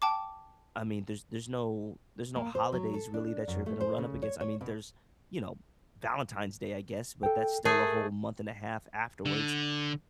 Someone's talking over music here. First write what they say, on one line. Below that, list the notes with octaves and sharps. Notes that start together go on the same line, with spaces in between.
I mean, there's there's no there's no holidays really that you're gonna run up against, I mean, there's, you know, Valentine's Day, I guess, but that's still a whole month and a half afterwards,
G5 A5 D6
A#3
C5
F#3
A4
D4
F#2
A3
C5
C#3
C#5
C#5
B2
A4 G5
A3 G#4 A#4
D3